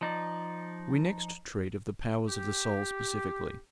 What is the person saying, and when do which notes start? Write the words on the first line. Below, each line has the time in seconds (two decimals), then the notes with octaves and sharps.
We next treat of the powers of the soul specifically.
0.01 F3 D#4 D5
2.28 G4